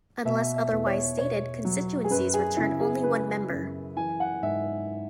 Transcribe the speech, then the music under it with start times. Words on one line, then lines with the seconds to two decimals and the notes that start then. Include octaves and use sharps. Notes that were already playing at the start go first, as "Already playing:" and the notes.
Unless otherwise stated, constituencies returned only one member.
0.25 B2 E5
0.56 E5
0.71 E2
0.86 C#5
1.19 B2 C#5
1.65 F#3
2.04 G#4
2.10 F#2 B4
2.34 G#4
2.57 C#3 E4
2.80 G#4
3.03 C#3 B4
3.50 F#2
3.96 E3 G#5
4.20 F#5
4.43 G#2 E5